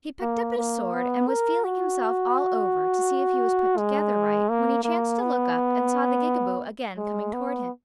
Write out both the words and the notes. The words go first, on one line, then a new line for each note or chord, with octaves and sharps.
He picked up his sword, and was feeling himself all over to see if he was put together right, when he chanced to look up and saw the Gigaboo again coming toward him.
A#3
A#3
B3
A#4
F#4
G#3
A#3
A#3
B3
G#3
B3